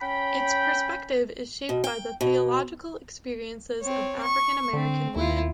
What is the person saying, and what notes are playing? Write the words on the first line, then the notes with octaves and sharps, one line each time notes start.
Its perspective is shaped by the theological experiences of African-American women.
C#4 G5 B5
B2
G5
B2
C4 C#5
C#6
D3 C4
D#2 E4 F4